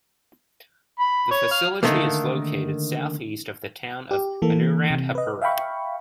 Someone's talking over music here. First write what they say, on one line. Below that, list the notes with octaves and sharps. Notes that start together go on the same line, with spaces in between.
The facility is located southeast of the town of Anuradhapura.
B5
C#5
F5
D3 D#3 A3 A#3
G4
E3 A#3 A4
C3
B4 D#5
E5 F5 G5 B5 C#6